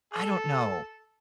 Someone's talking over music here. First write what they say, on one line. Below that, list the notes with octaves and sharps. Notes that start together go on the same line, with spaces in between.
I don't know.
A4